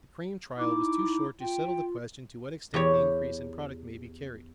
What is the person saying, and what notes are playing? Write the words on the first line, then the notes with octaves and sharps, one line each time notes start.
The Crane trial was too short to settle the question to what extent the increase in product may be carried.
D#4 E4 D6
F4 G5
E2 G4 C#5